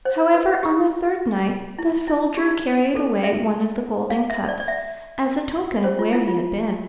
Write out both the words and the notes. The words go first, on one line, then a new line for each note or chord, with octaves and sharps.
However, on the third night the soldier carried away one of the golden cups as a token of where he had been.
C5
B4
G4
E4
E4
G4
A4
E5
F5
E5
D5
D5
E5
C5
F4
E4
F4